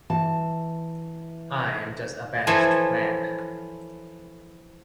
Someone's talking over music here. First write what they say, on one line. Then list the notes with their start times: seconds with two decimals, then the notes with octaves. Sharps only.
I am just a banished man.
0.10 E3 A5
2.47 E3 F3 E4 A4 C5 C#5